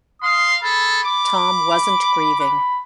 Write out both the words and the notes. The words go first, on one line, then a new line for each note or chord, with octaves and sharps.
Tom wasn't grieving.
F5 C6 D#6
G#4 A4 B5
D6
B5